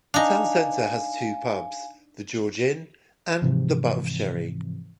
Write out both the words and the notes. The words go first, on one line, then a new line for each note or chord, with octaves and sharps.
The town centre has two pubs, the "George Inn" and the "Butt of Sherry".
D4 D#4 F5 G#5
G#2 C3 E3 F3